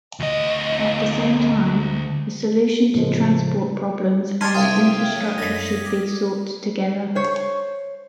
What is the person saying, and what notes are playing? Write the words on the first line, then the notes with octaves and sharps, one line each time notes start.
At the same time, a solution to transport problems and the infrastructure should be sought together.
D2 D#5
A2 C#3 F3 G#3
D#4 C#5 D5 A5 C6 F6 G#6 D#7
C2 E5 F5 G5 D#6 F6 D#7
F#3
F#2 D3 D#4 A#6 B6
G4
C5 C#5